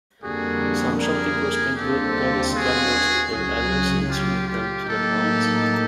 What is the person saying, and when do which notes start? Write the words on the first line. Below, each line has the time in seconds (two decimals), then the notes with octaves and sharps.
Some shopkeepers print goddess calendars with their address, and distribute them to their clients.
0.22 F2 D3 G3 A#3 F#4 G#4
1.00 G#4 A#4
1.76 D#2 D3 G3 C4 F4 G4 A4
2.54 F#4 G#4
3.31 C#2 C#3 F#3 F#4 G#4
4.09 F4 G4
4.47 F4 G4
4.85 A2 F#3 A#3 D#4 G4 A4